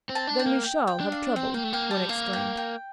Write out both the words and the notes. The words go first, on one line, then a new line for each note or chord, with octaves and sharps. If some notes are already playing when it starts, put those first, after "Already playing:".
"Then we shall have trouble," one exclaimed.
C4
A5
D4
G5
A#3
G5
G5
D4
F5
C4 G5
A#3 G5
A3
A#3 G5
G3 A5
A#3 F5
G5
G5